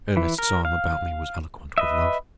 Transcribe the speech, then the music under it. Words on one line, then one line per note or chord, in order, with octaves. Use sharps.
Ernest's arm about me was eloquent with love.
E3
A#4
F5
B4 D#5 E5